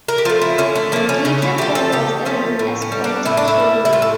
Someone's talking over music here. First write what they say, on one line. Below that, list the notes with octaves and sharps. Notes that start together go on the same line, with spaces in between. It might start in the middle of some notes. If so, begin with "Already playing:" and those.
Pelican Point was then known as Point Currie.
A#4
G4
F3 A3 F4
E4
D3 C#4
A3
F3 A3 A#3
C#4
C#3 C#4
E4
F3 A3 G4
A4
C#3 G4
F3 A3 C#4
A2
C#4
G3
D4
A2 E4
D4
E4
G3
E4
A2 F4
A4